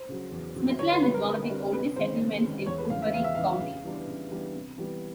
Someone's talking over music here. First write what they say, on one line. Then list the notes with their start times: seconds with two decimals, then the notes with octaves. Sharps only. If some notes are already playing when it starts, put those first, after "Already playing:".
Smithland is one of the oldest settlements in Woodbury County.
Already playing: C5
0.09 C#3 F#3
0.32 E2
0.55 C#3 F#3
0.79 D3 C#5
0.91 B4
1.03 G3 C4 B4
1.14 A#4
1.26 D3
1.50 G3 C4
1.73 C3 B4
1.96 D#3 G#3 C#4 C5
2.20 C3
2.43 D#3 G#3 C#4
2.67 E2 C#5
2.78 B4
2.90 C#3 E3 G#3 F5
3.02 E5
3.14 E2 F5
3.24 E5
3.35 C#3 E3 G#3 F5
3.60 C#3 F5
3.84 E3 G3 B3 D4
4.07 C#3
4.31 E3 G3 B3 D4
4.54 C3
4.78 E3 G3 B3